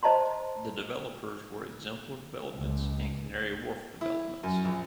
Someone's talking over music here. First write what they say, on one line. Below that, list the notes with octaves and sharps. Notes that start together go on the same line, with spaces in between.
The developers were Exemplar Developments and Canary Wharf Developments.
C5 D#5 A5 A#5 C6
C#2
E4
F#2
A#1